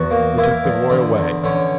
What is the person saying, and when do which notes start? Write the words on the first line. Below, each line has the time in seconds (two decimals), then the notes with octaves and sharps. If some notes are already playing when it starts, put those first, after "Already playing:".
We took the boy away.
Already playing: E2 F#4
0.11 A#3
0.38 A#3 E4
0.64 E2
0.90 D3
1.16 E2
1.44 D3 C#4